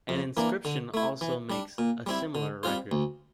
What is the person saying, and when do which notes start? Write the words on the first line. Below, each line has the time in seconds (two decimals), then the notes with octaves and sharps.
An inscription also makes a similar record.
0.09 F2
0.37 E3 A#3 D4
0.65 D3
0.94 A3 E4
1.21 E3
1.50 G3 D4
1.78 A#2
2.06 G3 C4 E4
2.35 D3
2.63 G3 C4 F4 C5
2.92 D2